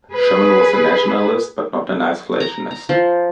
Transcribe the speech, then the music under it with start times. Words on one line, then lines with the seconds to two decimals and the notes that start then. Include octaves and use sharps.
Sherman was a nationalist, but not an isolationist.
0.10 G#4 B4
2.40 A#5
2.71 A#5
2.89 F3